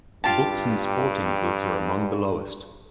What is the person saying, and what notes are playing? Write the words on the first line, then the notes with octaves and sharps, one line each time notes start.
Books and sporting goods are among the lowest.
G2 F4 G4 A5